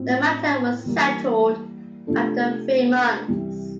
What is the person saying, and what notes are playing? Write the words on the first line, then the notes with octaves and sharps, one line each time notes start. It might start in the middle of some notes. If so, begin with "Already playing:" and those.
The matter was settled after three months.
Already playing: A2 F3 C4
E3 G3 A#3
C3 F3 A3 D4 A4
C2 C3 E3